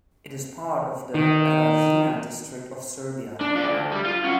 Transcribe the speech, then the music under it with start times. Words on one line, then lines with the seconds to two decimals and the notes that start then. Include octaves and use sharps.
It is part of the Rasina District of Serbia.
1.14 D#3
3.41 D4
3.55 F3 D5
3.69 D2
3.92 G3
4.04 F4
4.24 C#4 F#5